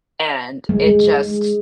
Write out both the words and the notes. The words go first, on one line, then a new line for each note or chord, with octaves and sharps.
and it just
G#3